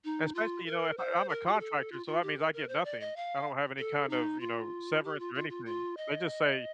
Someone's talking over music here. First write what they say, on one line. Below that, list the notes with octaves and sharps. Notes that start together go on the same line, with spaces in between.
Especially, you know, if I'm a contractor, so that means I get nothing I don't have any kind of, you know, severance or anything. They just say,
D#4
F4
A#4
C5
A#4
F4
G4
A4
F4
F4
G4
A#4
A#4
C5
D5
D#5
F5
A4
D#4
F4
G4
F4
F4
F4
F4
D#5